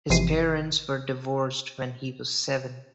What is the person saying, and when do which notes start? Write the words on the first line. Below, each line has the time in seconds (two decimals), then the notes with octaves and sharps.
His parents were divorced when he was seven.
0.10 G#1 C3 E3 F3 C7 D#7